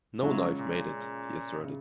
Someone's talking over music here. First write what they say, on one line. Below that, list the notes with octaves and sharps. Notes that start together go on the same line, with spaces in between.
"No knife made it," he asserted.
C#3 F#3 G#3 C#4 F4
A#2
C#3